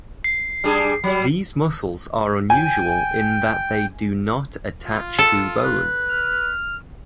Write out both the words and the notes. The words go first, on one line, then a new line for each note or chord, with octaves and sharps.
These muscles are unusual in that they do not attach to bone.
C7
G3 D4 G#4
F#3 G3
G5 G#5
F4
A4
B4
F6